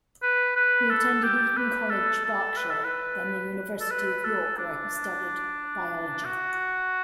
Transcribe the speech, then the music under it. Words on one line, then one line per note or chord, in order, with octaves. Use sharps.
He attended Eton College, Berkshire, then the University of York, where he studied Biology.
B4
B4
A4
G4
B4
A4
A4
B4
A4
B4
A4
B4
A4
D4
F#4